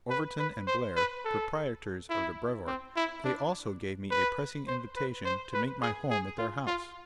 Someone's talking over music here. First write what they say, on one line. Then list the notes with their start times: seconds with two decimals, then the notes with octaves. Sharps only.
Overton & Blair, proprietors of the Brevoort, they also gave me a pressing invitation to make my home at their house.
0.10 B4
0.39 B4
0.67 C5
0.96 B4
1.24 A4
2.10 E4
2.67 C4
2.96 E4
3.24 D4
4.11 B4
4.67 C5
4.96 B4
5.25 C5
5.54 B4
5.82 G#4
6.10 G#4
6.38 F4
6.67 F4